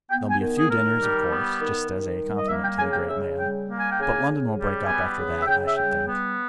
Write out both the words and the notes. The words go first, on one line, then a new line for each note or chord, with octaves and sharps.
There'll be a few dinners of course, just as a compliment to the great man,--but London will break up after that, I should think.
B3 G5
G#5
D#3
G#4
D#3 A#4
G3
B3
D#3
D#3
G3
D#5
A#3 E5
G5
C#3 G#5
G5
C#3 E5
G3 G5
A#3
G#5
G5
C#3 G#5
C#3
G3
B3 G#5
C#3
E5
C#3 G5
E5
G3 G5
B3